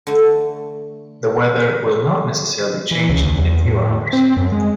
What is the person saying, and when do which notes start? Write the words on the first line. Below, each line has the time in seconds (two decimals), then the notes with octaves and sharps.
The weather will not necessarily change in a few hours.
0.07 D3 A3
2.91 E3
3.09 C#2
3.24 D#2
3.37 E2
3.65 A2
4.13 C4
4.37 F#2
4.52 G#3